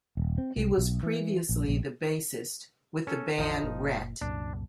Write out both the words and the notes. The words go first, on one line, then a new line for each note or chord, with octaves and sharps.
He was previously the bassist with the band Ratt.
D#1
C4
C2
B1
E3
A#1
A#1
C#4 A4
A1 E2 F3 D#4
F#1 A#2
C2 F#2 A#2 D4